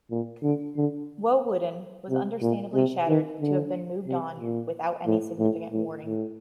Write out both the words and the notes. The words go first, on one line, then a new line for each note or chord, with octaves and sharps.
Woewodin was understandably shattered to have been moved on without any significant warning.
A#2
D3
D3
C3
A#2
C3
D#3
D3
C3
A#2
A2
A2
A2
A2